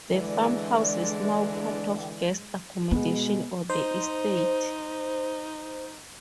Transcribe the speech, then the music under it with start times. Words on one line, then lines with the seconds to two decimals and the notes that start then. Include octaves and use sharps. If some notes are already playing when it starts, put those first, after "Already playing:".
The farmhouse is now part of guest accommodation on the estate.
0.11 D3 E3 G#3 D4 G#4 D5
2.91 B2 G#3 B3
3.70 D#4 C5